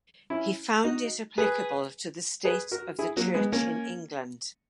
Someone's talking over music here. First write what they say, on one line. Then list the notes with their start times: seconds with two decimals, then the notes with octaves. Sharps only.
He found it applicable to the state of the church in England.
0.30 C#4 E4
0.84 D#4 F#4
1.38 G#4 B4
2.45 G#4 B4
2.72 F#4 A#4
2.99 E4 G#4
3.17 F#3 A#3
3.34 G#3 B3
3.52 A#3 C#4